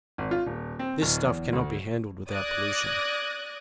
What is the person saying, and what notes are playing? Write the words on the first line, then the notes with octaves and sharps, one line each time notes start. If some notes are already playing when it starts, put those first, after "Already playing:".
This stuff cannot be handled without pollution.
G#1
F4
D#1
C4
D1
E2
D2
D5 D6 D#6 F#6 G#6 A#6